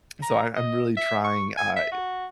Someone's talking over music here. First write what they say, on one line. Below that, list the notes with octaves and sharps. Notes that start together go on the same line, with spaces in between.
so, I I'm really trying, uh,
A#5
D#5
E5
C#6
G#5
E5
F#4